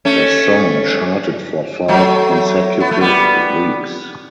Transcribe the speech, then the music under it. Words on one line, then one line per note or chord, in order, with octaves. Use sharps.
The song charted for five consecutive weeks.
A3 C#4
F#3 A3
B3
A3
G3 B3